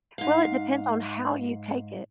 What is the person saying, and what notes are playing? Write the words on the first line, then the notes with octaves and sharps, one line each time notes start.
Well, it depends on how you take it.
G#2 F5